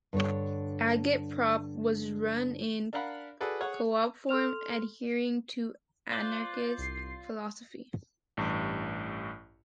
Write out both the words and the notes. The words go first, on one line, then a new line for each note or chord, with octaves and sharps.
Agit-Prop was run in co-op form adhering to anarchist philosophy.
G2 D3 D4 C#5
D4 A#4 F5 F#5 B5
F#4 G#4 A4 B4 D5
G#4 C#5 F#5
A4 C6 F6 F7
F4 C5 D5 F#6
C2 C7
A1 G2